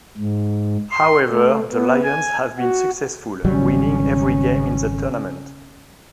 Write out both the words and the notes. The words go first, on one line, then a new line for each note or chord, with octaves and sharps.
However, the Lions have been successful, winning every game in the tournament.
G#2
C6
A3
B3
G#5
F#4
G#1 C#3 F#3 G3 C#4